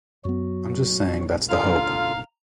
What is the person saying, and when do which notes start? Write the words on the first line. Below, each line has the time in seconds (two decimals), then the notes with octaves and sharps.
I'm just saying that's the hope.
0.25 F#2 F#3 B3 F#4
1.49 D3 F4 F5 A#5